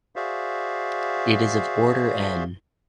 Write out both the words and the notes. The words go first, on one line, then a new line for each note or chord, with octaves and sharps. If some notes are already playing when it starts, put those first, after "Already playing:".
It is of order "n".
F#4 G#4 C5 D5 E5 F5